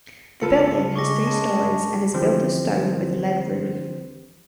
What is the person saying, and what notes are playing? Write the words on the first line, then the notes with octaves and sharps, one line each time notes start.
The building has three storeys and is built of stone with a lead roof.
C#3 F4 A4 B4 C#7
G#3 C#6 D6 A#6
C#3 A5
D3 E3 F3 C4 G4 C5